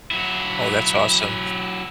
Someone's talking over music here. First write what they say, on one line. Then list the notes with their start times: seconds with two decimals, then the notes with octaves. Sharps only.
Oh, that's awesome.
0.11 F#3 E4